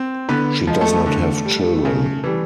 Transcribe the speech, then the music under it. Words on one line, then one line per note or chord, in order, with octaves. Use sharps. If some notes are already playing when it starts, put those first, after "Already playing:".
She does not have children.
Already playing: C4
D3 B3 B4
F3 G#3
A3 A4
D3
G3
C#3
E3 G3